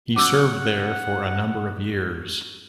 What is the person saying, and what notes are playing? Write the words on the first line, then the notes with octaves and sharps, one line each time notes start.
He served there for a number of years.
F#3 C#4 F#5 D6 E6 G6